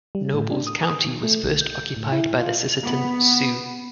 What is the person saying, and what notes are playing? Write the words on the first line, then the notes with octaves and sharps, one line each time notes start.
Nobles County was first occupied by the Sisseton Sioux.
G3
A2
D4
D#6
D#3
A3
B1
G6
A2
E4
F4
B3